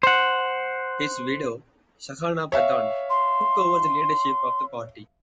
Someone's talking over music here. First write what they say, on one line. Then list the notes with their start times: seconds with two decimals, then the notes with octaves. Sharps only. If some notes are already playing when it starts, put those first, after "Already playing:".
His widow, Sahana Pradhan, took over the leadership of the party.
0.03 C5 F#5
2.52 C#5 E5 F5
3.10 C6